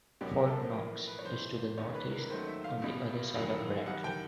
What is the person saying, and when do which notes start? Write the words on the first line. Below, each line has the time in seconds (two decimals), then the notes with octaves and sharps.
Fort Knox is to the northeast, on the other side of Radcliff.
0.21 C2 B2 F#3 A#3 C#4 G4
0.38 A#4
0.47 A4
0.73 A#1 A2 E3 A#4
1.07 B4
1.19 C#5
1.25 G1 F2 C#3 E3 C5
1.78 E1 D#2 C#3 C#5
1.95 B4
2.12 A#4
2.30 D#2 D#3 F#3 A3 C5
2.48 E5
2.64 F5
2.82 C2 B2 G3
3.35 A1 G2 D#3 F#3
3.86 F#2 D#3 G3 F#5
4.04 G5